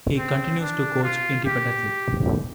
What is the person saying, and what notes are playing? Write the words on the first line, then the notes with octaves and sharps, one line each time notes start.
He continues to coach independently.
C4
D4
F4
G4